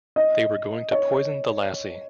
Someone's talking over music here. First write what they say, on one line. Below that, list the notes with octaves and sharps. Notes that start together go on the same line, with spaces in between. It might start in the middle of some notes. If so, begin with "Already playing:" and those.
They were going to poison the lassie.
D#5
C#5